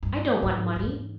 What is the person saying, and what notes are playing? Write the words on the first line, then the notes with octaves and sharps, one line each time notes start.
I don't want money.
G2
G#2
E2 G#2